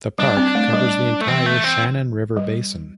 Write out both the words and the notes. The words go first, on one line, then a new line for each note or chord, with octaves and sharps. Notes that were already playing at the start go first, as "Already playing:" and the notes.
The park covers the entire Shannon River basin.
G3 D4
C4
A3
G3
A3
E3 C4
A3
C4
G3